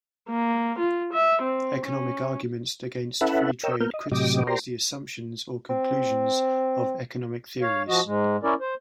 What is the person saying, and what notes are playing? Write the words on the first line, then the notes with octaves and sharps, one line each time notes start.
Economic arguments against free trade criticize the assumptions or conclusions of economic theories.
A#3
F4
E5
C4
C#4
C#4 E4 A4 B4 E5 F#5
A#4 C#5 D#5 G5 E6
A#3 B3 A#4 F6 G6
D#5
A2 C3 F#3 G4 D#5 D6
G4 A#4 C5 D5 A#5 C6
C4
C#5 F5
F3 F#4 D#5
G#2 G#3
C#4 E4 A#4 D5
C5